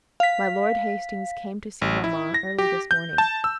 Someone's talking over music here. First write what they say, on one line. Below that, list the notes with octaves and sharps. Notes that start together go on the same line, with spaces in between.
My Lord Hastings came to see maman early this morning.
F5 B6
A1
E4
A#6
G4
G6
A5
E6